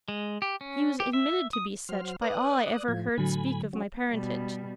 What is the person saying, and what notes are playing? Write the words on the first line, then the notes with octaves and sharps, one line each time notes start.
He was admitted to be such by all I ever heard speak of my parentage.
G#3
G4
C#4
G4
E5
D#6
F#3 C5 F6
B4 D5 D#6 F#6
A2 F3 G#6
A2 D3 F#3 G#5 B5
F#3 C#4
B2 G3